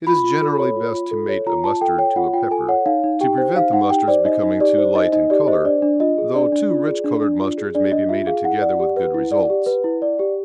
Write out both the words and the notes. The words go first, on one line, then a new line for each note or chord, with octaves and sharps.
It is generally best to mate a mustard to a pepper, to prevent the mustards becoming too light in colour, though two rich-coloured mustards may be mated together with good results.
F4 B5
F4
A4
C#5
F4
F4
A4
C#5
F4 A#5
F4 A5
A4 G5
C#5 G5
F4 F#5
F4 G5
A4 G#5
C#5 F#5
D#4 F5
D#4
G4 G5
C5
D#4 F5
D#4 F#5
G4 G5
C5 D5
D#4 D#5
D#4
G4 D5
C5
D#4 D#5
D#4 D#5
G4 D5
C5 D#5
D4 D5
D4
F4 D#5
G#4
D4 D5
D4
F4
G#4
D4
D4
F4
G#4
D4 D5
D4 D#5
F4 E5
G#4 F5
E4 F#5
D5
G4
B4
E4
D5
G4
B4
E4
D5
G4